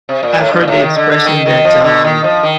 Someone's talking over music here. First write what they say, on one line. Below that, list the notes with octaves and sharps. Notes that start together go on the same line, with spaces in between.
I've heard the expression that, um
C3
A#2
A2
G2
A#2
A2
D#3
D3
D3
D#3
D#3
F3
D3
D#3
F3
D#3